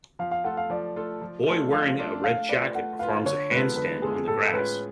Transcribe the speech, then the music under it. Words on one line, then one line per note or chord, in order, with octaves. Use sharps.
Boy wearing a red jacket performs a handstand on the grass.
F3 F5
F5
A3 F4 A4 F#5
F5
F3 D5
A3 F4 A4
F3
A3 D4 F4 A4
F3 F5
A3 D4 F4 A4
A3 F5
F4 B4 D5
A3 F#5
F4 B4 F5
D3 C#5
G#3 B3 F4 A4 B4
D3 B4
G#3 B3 F4 G#4 A4
A2 A4
G#3 C#4 F4 G#4 B4